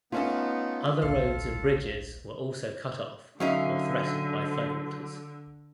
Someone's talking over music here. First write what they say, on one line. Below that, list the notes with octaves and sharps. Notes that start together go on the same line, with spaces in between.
Other roads and bridges were also cut off or threatened by floodwaters.
A3 B3 C#4 D#4 F4 A4
D1 A#1 D4 A4 F5
D3 F#3 C#4 D#4 E5 F5